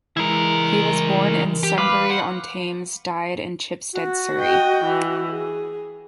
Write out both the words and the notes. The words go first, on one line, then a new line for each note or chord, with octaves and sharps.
He was born in Sunbury-on-Thames; died in Chipstead, Surrey.
E3 G#3 E4 A#4
G4
B4 F5 B5 D6
C5 F#5
F#4
D#5 G5
E3
G#4